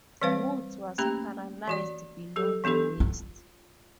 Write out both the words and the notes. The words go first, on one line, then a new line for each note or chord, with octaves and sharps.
Woods was paralysed below the waist.
E3 G3 C4 B4 C5 F5
A3 A#3 C#4 G4 B5
E3 F#4 D5
F#3 G4 A4
E3 B3 D4 G4 A4
F4